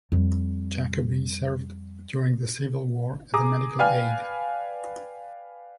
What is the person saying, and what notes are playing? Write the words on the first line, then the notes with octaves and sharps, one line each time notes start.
Jacobi served during the Civil War as a medical aide.
F2 G3
G#4 A#5 D6 D#6
B4 D5 F5 G5 G#5 F6